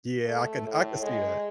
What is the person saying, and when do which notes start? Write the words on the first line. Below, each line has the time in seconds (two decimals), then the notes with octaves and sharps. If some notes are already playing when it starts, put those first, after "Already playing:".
Yeah, I can I can see that.
0.26 A3
0.67 A2
1.02 G#3